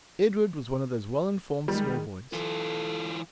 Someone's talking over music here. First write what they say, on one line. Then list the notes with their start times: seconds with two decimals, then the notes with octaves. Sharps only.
Edward was one of those well-informed small boys.
1.68 D#3 G3 G#3
2.33 E3 F4 A4